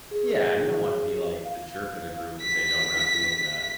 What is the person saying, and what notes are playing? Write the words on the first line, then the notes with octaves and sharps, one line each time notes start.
Yeah, you don't wanna be like the jerk of the group and say, "No, we're not doing that."
G#4
F5
B6